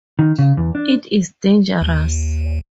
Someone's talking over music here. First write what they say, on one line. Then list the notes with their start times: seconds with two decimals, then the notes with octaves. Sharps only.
It is dangerous.
0.19 D#3
0.39 C#3
0.57 E2
0.75 D4
1.82 D#2